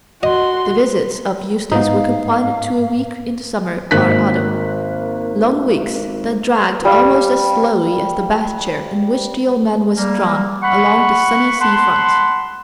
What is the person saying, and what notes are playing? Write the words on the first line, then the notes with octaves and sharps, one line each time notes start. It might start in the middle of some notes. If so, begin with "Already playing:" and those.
The visits of Eustace were confined to a week in the summer or autumn: long weeks, that dragged almost as slowly as the bath-chair in which the old man was drawn along the sunny sea front.
F#4 D#5 C6
G#2 B3 D#4 F5
G#1 A#3 F#6 B6
G3 F5
G3 A#3
F#5 B5 C#6
F#5 A5 B5 C6